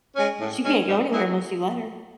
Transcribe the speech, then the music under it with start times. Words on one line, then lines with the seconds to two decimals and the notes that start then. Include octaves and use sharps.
she can't go anywhere unless you let her.
0.16 G#3 C#4
0.39 A2
0.63 G#3 C#4
0.87 G#2
1.10 G#3 B3 E4